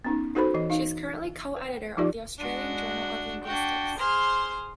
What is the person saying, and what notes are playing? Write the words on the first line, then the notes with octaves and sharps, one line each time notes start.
She is currently co-editor of the "Australian Journal of Linguistics".
B3 C#4 D#4
D#4 F#4 A4 B4 C5 B5
E3 D#5
D#4 F5
B4
F3 D#4 F4 G4 D5
G#3 D4 F#4
D4 F#4 G5
G#4 C5 C6 F6